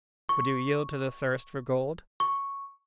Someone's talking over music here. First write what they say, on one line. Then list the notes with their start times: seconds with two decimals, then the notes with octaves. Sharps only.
Would you yield to the thirst for gold?
0.29 C#6
2.20 C#6